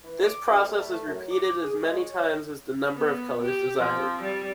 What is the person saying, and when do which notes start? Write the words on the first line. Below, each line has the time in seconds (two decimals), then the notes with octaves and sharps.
This process is repeated as many times as the number of colours desired.
0.04 E3
0.24 D6
0.49 D2
0.65 G3
0.78 A3
1.07 F#2
1.31 D6
1.63 G#4
1.83 G#3
1.97 C#5
2.96 B3
3.42 G4
3.78 F3 C4
4.22 G3